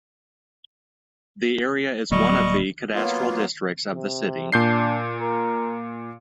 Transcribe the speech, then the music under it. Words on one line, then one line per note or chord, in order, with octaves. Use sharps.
The area is one of the cadastral districts of the city.
D1 D3 F#3 G3 A#3 D#5 C#6
F#3 A#3 B3 F4
C3
A#2 D4 G6 C7
A#4